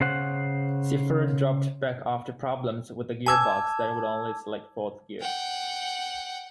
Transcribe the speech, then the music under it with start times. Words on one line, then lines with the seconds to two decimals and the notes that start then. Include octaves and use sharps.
Siffert dropped back after problems with a gearbox that would only select fourth gear.
0.01 C#3 C5 F#5
3.26 G#5 A5 D6 E6 G#6
5.20 F#5 G5